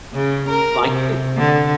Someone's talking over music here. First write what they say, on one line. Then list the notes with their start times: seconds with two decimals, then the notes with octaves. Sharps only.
Like it?
0.14 C#3
0.50 A#4
0.87 C3
1.38 D3